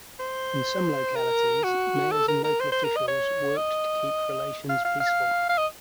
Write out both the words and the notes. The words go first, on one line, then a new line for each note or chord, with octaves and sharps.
In some localities, mayors and local officials worked to keep relations peaceful.
C5
A#4
F#4
A4
A#4
A#4
C5
C5
A#4
D#5
C#5
D#5
F5
F5
F5
F5
D#5